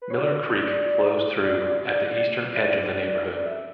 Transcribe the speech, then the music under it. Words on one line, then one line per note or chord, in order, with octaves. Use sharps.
Miller Creek flows through at the eastern edge of the neighborhood.
B4
C#5
D5
D5
E5